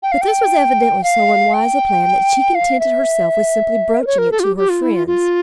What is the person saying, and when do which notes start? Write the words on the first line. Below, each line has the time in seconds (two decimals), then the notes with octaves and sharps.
But this was evidently so unwise a plan, that she contented herself with simply broaching it to her friends.
0.03 G5
0.12 F5
0.21 G5
1.03 F5
1.54 G5
2.55 F5
2.80 E5
4.01 A#4
4.07 C#5
4.18 A#4
4.31 A4
4.39 F4
4.43 G4
4.57 G4
4.69 F4
4.82 E4
4.95 F4
5.07 F4